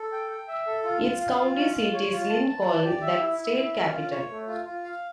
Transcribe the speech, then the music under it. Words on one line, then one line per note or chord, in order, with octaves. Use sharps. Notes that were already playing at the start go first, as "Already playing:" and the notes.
Its county seat is Lincoln, the state capital.
Already playing: A4
G5
G5
E5
A4
F4
F4
F5
F4
C#4
F4
C#5
F4
A5
A5
D5
G4
E5
E4
E4
E4
C#4
F4
C#5
A3
F4
F4
F5